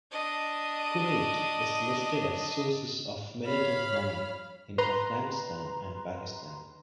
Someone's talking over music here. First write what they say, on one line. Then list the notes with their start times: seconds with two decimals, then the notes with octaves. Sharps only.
Kuwait is listed as sources of militant money in Afghanistan and Pakistan.
0.11 D4 D#5
3.44 C#5 F5 B5 F6
4.78 B4 A#5 C6